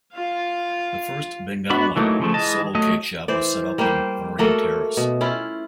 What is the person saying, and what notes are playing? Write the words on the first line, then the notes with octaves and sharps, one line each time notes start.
The first Bengawan Solo Cake Shop was set up in Marine Terrace.
F4 F5
B3 D4 F#4 B5
E3 F#3 A3 A#3 D#4
C#3 F3 A3
E3 G#3 D#5 A5
F#3 A3 D#5
E3 C5 D5
G3 A#3 G4 C5
A3 A#3 F#4 A4
B2
C#4 E4 F4